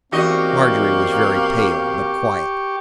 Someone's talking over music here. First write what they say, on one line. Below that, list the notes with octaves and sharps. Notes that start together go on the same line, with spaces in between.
Margery was very pale, but quiet.
E2 A#3 C4 F#4 G4 D#5 C#6